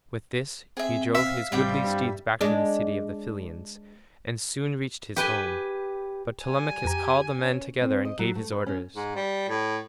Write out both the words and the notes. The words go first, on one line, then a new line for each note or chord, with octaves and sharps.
With this he drove his goodly steeds back to the city of the Pylians and soon reached his home, but Telemachus called the men together and gave his orders.
C4 G#4 E5
E5 F5
A1 G3 C4 F4 G5
G2
G#3 D4
G4 B4 G5 G#5
G3 G#5
F2 G4 A#5
C#4
C4
D#5
F#3
A3
B4
C#4
G#2
G3
A2